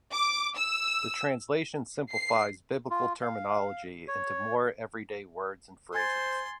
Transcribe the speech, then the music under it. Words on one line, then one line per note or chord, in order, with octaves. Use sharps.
The translation simplifies Biblical terminology into more everyday words and phrases.
D6
E6
C7
F4
F5
C#5
C5 G#5 C6 G#6 A6